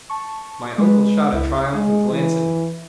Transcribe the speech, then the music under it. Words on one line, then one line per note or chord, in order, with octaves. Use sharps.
My uncle shot a triumphant glance at me.
A5 C#6
G#3 B4
C#2 E4 E5
G#3
E3